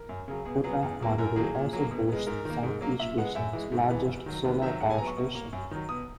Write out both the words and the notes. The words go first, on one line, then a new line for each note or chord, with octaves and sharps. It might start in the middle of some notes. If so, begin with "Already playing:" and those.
Kota Marudu also boasts Southeast Asia's largest solar power station.
Already playing: A#4
F#2
C#3 F#3
B2 G#4
F#3 B3 G#4
E2
B2 F#3 A#3
F#2 A#4
D#3 F#3 A#3 G#4
A#2
F#3 A#3
B2
G#3 B3
G#2 A#4
D#3 A#3
G#2
F#3 A#3
A#2 E5
G#3 B3 F#5
F#2 E5
E3 G#3
G#2
E3 B3
E2
D#3 F#3
D#2 B4
D#3 F#3 E5
G#2 F#5
G#5
F#3 B3 A#5
C#6
B2
A#3
F#2
D#3 F#3
B2 D#6